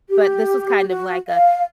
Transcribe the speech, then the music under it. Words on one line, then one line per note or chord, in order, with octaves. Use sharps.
but this was kind of like a,
G4
F#4
F5